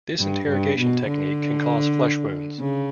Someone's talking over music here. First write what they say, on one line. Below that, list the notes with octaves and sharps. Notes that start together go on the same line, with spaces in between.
This interrogation technique can cause flesh wounds.
G2
G2
B2
D3
C#3